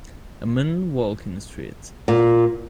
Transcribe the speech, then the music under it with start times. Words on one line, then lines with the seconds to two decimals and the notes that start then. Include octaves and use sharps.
A man walks on the street.
2.08 A#2